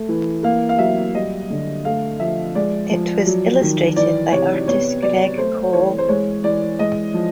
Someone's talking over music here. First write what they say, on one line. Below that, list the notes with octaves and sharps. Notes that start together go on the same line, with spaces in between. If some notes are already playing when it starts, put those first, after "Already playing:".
It was illustrated by artist Greg Call.
Already playing: A3
E3
A#3 F5
F5
F#3 E5
G3 D#5
D3
A3 F5
F3 E5
G#3 D5
F3
F#3
D#3
E3 D5
C3 C#5
B3 C#5
F#3 D5
A3 C5
E3 C#5
C5
G#3 C#5
E3 D5
G#3 D#5
F3